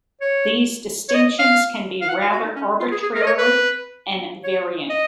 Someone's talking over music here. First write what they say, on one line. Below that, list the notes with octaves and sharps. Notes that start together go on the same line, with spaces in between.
These distinctions can be rather arbitrary and variant.
C#5
C#5
D#5
F5
F5
F#5
F5
F#4
D#4
C#4
F4
G#4
G#4
A#4
D#5
C#5
B4
C#5
D#5